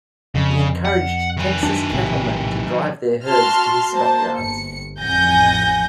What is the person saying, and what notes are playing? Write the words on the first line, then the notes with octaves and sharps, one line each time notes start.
He encouraged Texas cattlemen to drive their herds to his stockyards.
F2 C#3
F#5
D#3 B4
F#2 D4
A#1 A2 C3
F#4 A5 C6 F6
A#3 C5 A5
G1 C#7
A1 F2 F#5 G#5 G6 A#6